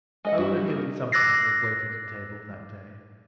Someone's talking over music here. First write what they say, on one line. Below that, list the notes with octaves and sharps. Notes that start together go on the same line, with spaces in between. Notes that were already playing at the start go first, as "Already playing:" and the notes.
I would have given something to have waited at table that day.
G#3 D#5 F#5
G2 E4 F#4 G#4
A#3
D6 E6 F#6 A6 A#6 C7